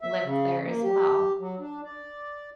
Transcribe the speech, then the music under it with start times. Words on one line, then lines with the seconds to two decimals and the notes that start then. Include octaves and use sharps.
lived there as well.
0.01 E5
0.24 C#3
0.66 A#3
0.83 G4
1.40 F#3
1.60 D4
1.84 D5